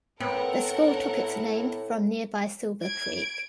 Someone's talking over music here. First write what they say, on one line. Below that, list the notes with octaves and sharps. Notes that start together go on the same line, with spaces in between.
The school took its name from nearby Silver Creek.
A2 B3 C4 A4 A#4 F#5
G#6 D7